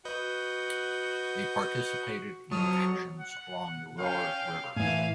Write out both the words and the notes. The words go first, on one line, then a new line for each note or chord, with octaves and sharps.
They participated in actions along the Roer River.
F#4 B4 D#5 G6
F2 F#3 A5 C#6 D#6 F6
F#5
C#4 F5 G5
A2 E3 E5 F5 G#5